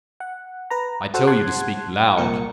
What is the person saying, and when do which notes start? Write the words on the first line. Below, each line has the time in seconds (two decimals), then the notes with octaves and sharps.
"I tell you to speak loud."
0.20 F#5
0.70 B4 A#5
1.14 F#4 A4 C5 F#5
1.27 F#5 A5 C6 F#6 G#6
2.18 C2 A#2 A#4 C#7